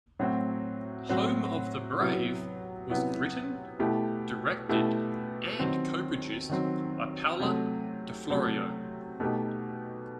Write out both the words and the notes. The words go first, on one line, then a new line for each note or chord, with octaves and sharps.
"Home of the Brave" was written, directed, and co-produced by Paola di Florio.
A2 F#3 C4 F#4
A2 F#3 C4 F#4
C3 F#3 B3 E4
C3 F#3 B3 E4
B2 A3 E4 G4
B2 A3 E4 G4
D#3 F#3 C4
D#3 F#3 C4
C3 F#3 A3
C3 F#3 A3
B2 A3 D#4 G4